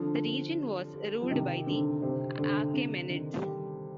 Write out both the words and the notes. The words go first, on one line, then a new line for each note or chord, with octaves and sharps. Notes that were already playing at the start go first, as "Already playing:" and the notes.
The region was ruled by the Achaemenids.
Already playing: D3 F3 C4
C4
G4
G4
F3
C3 D#3 D#4
D3 C4
C3 C5
D3 C5
C3
D#3
G3